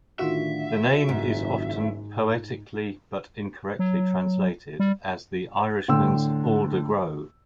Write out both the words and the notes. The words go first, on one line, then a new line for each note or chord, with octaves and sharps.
The name is often "poetically", but incorrectly, translated as "The Irishman's Alder Grove".
A2 D3 D#3 D4 F4 F#4 E5
F#1 G#2
F#3
G3
A2 D3 G5 C6 E6